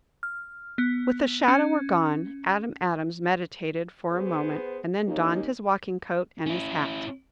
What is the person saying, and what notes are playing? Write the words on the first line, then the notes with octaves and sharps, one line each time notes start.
With the shadower gone, Adam Adams meditated for a moment and then donned his walking coat and his hat.
F6
B3
C#4
B3 G#4 C5
D#2 A#3 C#4 D#4
C#4 E4